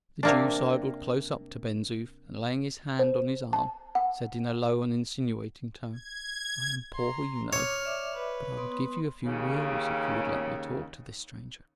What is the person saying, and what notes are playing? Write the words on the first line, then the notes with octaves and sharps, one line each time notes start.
The Jew sidled close up to Ben Zoof, and laying his hand on his arm, said in a low and insinuating tone, "I am poor, you know; but I would give you a few reals if you would let me talk to this stranger."
C3 A#3 D4
C5
A5
F#5
G#6
A#5 C6
C#5 D6 F6
D5 E5 D6
B4
B3 C6 D#6
D#2 C#3